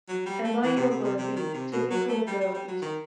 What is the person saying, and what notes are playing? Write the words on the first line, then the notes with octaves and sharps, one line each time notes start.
A biography - Typical Girls?
F#3
G3
A3
E3
C3
C3
C3
C3
D#3
C3
B2
F#3
A3
G3
G3
G3
F#3
D#3